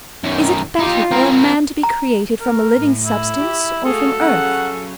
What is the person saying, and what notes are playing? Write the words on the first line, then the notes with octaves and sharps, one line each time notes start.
Is it better for a man to be created from a living substance or from earth?
F#2 D#3
D#4 F4 G4
C4 A#4
A#5
A#4
A2
E4
G4
A3 F#4 G#4 A4 F5
C#3 F#3 C#4 F#5